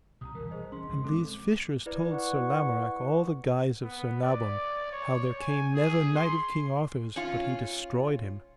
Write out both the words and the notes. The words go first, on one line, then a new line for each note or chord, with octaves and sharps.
And these fishers told Sir Lamorak all the guise of Sir Nabon; how there came never knight of King Arthur's but he destroyed him.
C2 C3 A#5 D#6
E1 E3 G3 A#4
G#4 C5 D#5
C#4 C6
G#1 C#2 D#3
G#3 B3 C4 A4 D6
E4 B4 D5
F#5 C#6
B3
D5
C#5
G#5
G#4
C6
C#4 F4